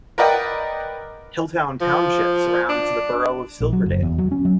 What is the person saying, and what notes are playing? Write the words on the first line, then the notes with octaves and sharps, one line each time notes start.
Hilltown Township surrounds the borough of Silverdale.
A#4 B4 D5 D#5 F#5 G5
F3
D4
A#1
F#3
F#1
E2
F#3
C#4
F#3